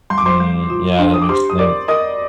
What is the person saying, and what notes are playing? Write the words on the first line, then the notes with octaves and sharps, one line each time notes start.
Mm, yeah, that makes sense.
G3 C6
D6
C5 C6
G3
F4
D4
D#6
D6
G4 C5 C6
D#6
A#4 D5 D6
A#4 D#5 D#6